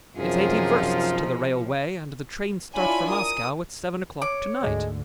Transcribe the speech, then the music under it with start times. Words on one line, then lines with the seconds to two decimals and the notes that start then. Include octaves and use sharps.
It's eighty versts to the railway and the train starts for Moscow at seven o'clock to-night.
0.17 F#2 C3 F3 D#4 F4 G#4
2.76 D4 E4 F4 C#5 G#5 B5
3.09 A#4 D#6
4.22 C#5 D6
4.63 D2 G#2 D3 G#3